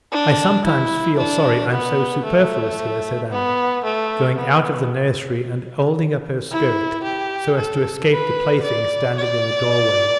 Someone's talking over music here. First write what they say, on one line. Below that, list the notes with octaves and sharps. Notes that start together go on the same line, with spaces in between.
"I sometimes feel sorry I'm so superfluous here," said Anna, going out of the nursery and holding up her skirt so as to escape the plaything standing in the doorway.
D4
E4
D4
B3
A3
B3
A3
B3
E4
G4
A4
B4
D5
D5